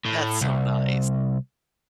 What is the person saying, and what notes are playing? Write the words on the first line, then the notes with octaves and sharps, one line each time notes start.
That's so nice.
A2
C2